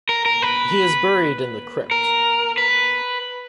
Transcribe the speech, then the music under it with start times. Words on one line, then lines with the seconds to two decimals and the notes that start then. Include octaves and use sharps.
He is buried in the crypt.
0.09 A#4
0.26 A#4
0.42 B4
1.91 A#4
2.58 B4